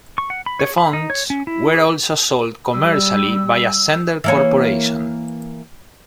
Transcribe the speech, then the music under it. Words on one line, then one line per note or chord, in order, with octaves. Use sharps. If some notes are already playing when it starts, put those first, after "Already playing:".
The fonts were also sold commercially by Ascender Corporation.
C#6
F#5
B5
C#5
B5
D#4
C#5
C#4
E4
G#4
G3 E6
E3 A#3 C#5